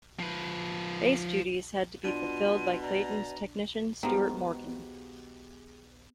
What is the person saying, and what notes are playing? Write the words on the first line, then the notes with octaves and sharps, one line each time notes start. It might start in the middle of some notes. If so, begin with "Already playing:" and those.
Bass duties had to be fulfilled by Clayton's technician Stuart Morgan.
F3 B4
B2 D4 F4 D#7
D5 A#5
D#3 F3 G#3 B3 F#4 G4